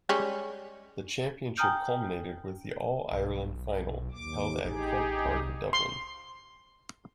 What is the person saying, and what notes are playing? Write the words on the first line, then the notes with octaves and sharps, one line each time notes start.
The championship culminated with the All-Ireland final, held at Croke Park, Dublin.
G3 G#3 C#4
G5 G#5 A#5 D#6 F6 G6
B1
D#2 D6
A1 D#4 G4 G#4
C2
C6